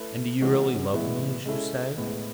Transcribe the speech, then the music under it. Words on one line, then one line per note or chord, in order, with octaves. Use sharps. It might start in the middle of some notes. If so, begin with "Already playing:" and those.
"And do you really love me as you say?"
Already playing: A3 E4 B4
E3 G#3 C#4 F#4
A2 E3 G#3 B3 E4
G#3 C#4 E4 A4
A2 G#3 B3